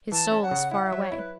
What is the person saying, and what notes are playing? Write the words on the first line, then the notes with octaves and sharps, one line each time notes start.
His soul is far away.
E3 A5
C#4
F#5
C#3
E4 F#5
E5
F#3
C#5
E4
B4